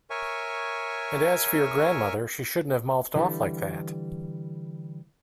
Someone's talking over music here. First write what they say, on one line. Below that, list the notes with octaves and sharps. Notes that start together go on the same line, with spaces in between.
And as for your grandmother, she shouldn't have mouthed off like that!
A#4 C#5 E5 G#5 C#6
D3 E3 G3